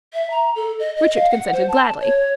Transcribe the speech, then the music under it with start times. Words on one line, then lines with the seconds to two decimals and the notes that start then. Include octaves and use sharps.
Richard consented gladly.
0.14 E5
0.31 A#5
0.56 A4
0.79 D#5
0.96 D#5
1.15 F5
1.30 F#5
1.53 C5
1.68 A5
2.01 C#5